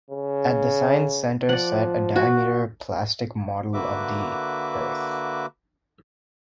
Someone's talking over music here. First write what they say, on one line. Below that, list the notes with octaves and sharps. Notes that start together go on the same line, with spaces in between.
At the sign's center sat a diameter plastic model of the Earth.
C#3
F3 D5 F#5
F#4
D3 A#3 F#4 B4 E5 D6